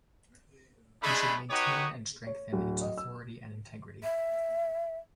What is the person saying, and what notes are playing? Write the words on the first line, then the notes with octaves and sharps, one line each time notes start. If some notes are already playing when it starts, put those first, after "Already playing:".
We should maintain and strengthen its authority and integrity.
G#3 A3 D4 G#4 B5
D#4 F#4 G4 B4 C#5 D#6
C#5
D1
D#5
E6
E5